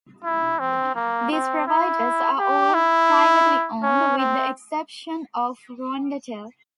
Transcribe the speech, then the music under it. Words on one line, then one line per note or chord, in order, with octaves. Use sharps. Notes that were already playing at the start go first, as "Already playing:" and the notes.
These providers are all privately owned, with the exception of Rwandatel.
E4
C4
A#3
C4
E4
G4
E4
C#4
C4